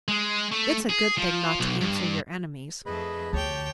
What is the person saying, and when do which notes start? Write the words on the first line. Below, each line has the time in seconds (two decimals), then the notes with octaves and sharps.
It's a good thing not to answer your enemies.
0.08 G#3
0.51 A3
0.90 G#4
1.18 F3
1.60 B1
1.81 G2
2.86 F2 A3 G#4 B4 D#5 B5
3.33 D2 G4 C#5 G5 A5